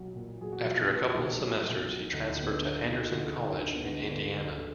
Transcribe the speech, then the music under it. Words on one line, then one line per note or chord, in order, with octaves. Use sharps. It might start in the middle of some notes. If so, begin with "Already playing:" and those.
After a couple of semesters he transferred to Anderson College in Indiana.
Already playing: B1 F#3
A#2
F#3 G#4
F#4
B1 F4
A#2
B1 B3
F#3
B1
F#3
D2 D#4
D2 B3
D4
D3
D2 D#4
F4
D2
G#4
D2
D#4
D2 D4
B3
D2 D4
B3
D3 D4
D2
D3